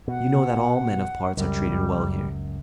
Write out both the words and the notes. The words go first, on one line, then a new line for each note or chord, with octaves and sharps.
You know that all men of parts are treated well here.
B2 F#5
C#2 F#2 G3